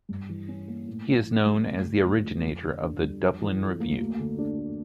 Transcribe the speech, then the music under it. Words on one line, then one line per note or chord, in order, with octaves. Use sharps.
He is known as the originator of the "Dublin Review".
G2
E3
C#4
A#3
A2
E3
A2
G3
D2
D3
D2
F3
F2
D3
D4
G3
F2
E3
F2
A#3
D2
D3
D4
A3